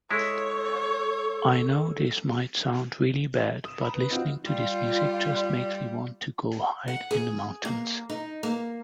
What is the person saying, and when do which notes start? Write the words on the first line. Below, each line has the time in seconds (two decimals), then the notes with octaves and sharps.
I know this might sound really bad, but listening to this music just makes me want to go hide in the mountains.
0.11 G#3 E4 A4 C#5
3.65 D#6 E7
3.81 A#5 B5
3.94 B4
4.10 C4 D#4 F4 F#4
4.46 G3 F4 D5
6.88 F#5
7.11 G#4
7.65 A#3
8.09 D#4
8.43 A#3